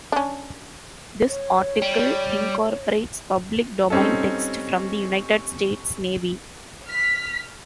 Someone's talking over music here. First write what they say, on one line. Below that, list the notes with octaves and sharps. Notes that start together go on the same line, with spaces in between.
This article incorporates public domain text from the United States Navy.
C#4 D4
C#5
G3
G3 C4 C#4 D#4 A4
F6 B6